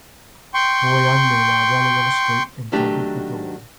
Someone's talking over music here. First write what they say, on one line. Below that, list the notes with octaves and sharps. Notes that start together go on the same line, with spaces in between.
Four young men are running on a street and jumping for joy.
G5 C6 C#6
D#3 F#3 A3 D4 G4